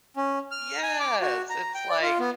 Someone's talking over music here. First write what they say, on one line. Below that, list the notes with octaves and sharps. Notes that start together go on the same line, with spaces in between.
Yes, it's like
C#4
F6
G#5
D6
F#4
A#5
G5
D5
F4
B3